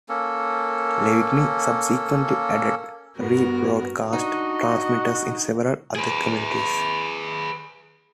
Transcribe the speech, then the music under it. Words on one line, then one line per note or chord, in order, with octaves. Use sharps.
Lavigne subsequently added rebroadcast transmitters in several other communities.
A#3 C#4 A4
G2 B3 F#4 A#4
D4 D#4 F#4 D#5
G#4 B4